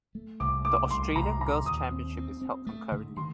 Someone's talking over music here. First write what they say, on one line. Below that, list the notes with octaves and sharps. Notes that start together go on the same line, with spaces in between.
The Australian Girls Championship is held concurrently.
A3
C2 D6
A3 D6
C2 C6
C2 A#5
A#2 A#5
D#2 D#6
C4
C4
C4
A3
D3
D#3 C6